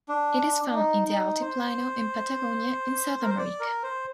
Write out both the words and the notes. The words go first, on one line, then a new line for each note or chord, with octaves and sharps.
It is found in the Altiplano and Patagonia in South America.
D4
D4
D#4
D#4
C5
A#4
C5
D5
A#4
C5